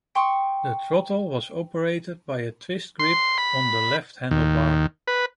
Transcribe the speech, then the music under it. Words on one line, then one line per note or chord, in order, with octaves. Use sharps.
The throttle was operated by a twist-grip on the left handlebar.
G5 C6 C#6 D#6
C6
B5
D#2
B4